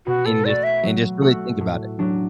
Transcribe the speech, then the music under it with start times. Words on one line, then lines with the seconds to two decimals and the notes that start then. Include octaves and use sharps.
and just and just really think about it.
0.07 B2 F#4
0.26 A4
0.45 A3 F#4 D5
0.64 E5
0.83 F#3
1.22 A3 F#4
1.61 A2
1.99 F#3 D4